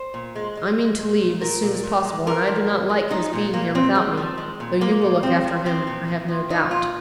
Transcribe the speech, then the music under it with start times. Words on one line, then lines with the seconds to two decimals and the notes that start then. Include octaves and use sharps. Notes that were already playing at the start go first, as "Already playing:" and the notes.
I mean to leave as soon as possible, and I do not like his being here without me, though you will look after him, I have no doubt.
Already playing: C5
0.14 A#2
0.36 G#3
0.57 G#3
0.79 G#3
0.99 A#2
1.21 A#2
1.41 A#2 A#4
1.63 A#2
1.83 A#2
2.05 G#3
2.26 F3 A#4
2.47 F3
2.69 A#2
2.90 G#3
3.11 F3 D#4
3.33 A#2
3.53 A#2 A#3
3.75 A#2 C4
3.95 G#3
4.17 F3
4.38 G#3
4.60 A#2
4.81 G#3 A#3
5.01 A#2
5.23 F3 C4
5.44 F3
5.65 F3 C4
5.87 A#2
6.08 A#2
6.29 F3
6.50 F3 D#4
6.71 A#2 F4